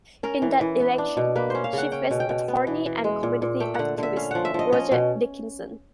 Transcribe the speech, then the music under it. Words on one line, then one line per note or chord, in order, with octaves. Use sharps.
In that election, she faced attorney and community activist Roger Dickinson.
C#4 A#4
E3
E3
B3
D4
B2
A#3 B4
C#4 C5
F5
C#3 F#5
C#4 G5
B2
G5
B2
B3
E3
E3
G#3
A#2
A#2
A3 G5
D3 F#5
D3 E5
C#4 F5
F3 F#5
E5
F3 D#5
C#4 D#5
B2